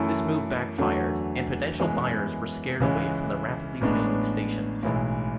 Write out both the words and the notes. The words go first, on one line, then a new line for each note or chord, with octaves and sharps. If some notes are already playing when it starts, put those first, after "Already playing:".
This move backfired, and potential buyers were scared away from the rapidly failing stations.
Already playing: F#2 E3 A3 E4 A4
E2 D3 F#3 A3
F#2 E3 G#3 B3
C#2 C#3 E3 G#3
A1 A2 G#3 B3 D4
B1 A2 E3 G#3